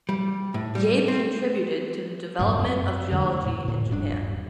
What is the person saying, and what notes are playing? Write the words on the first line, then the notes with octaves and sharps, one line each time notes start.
Yabe contributed to the development of geology in Japan.
G3
A2
G3
C4
G2 A#2 C#3 F#3
F#2 C4
F2 D3 G#3 A3
A#2
A2
D#1 G2 D4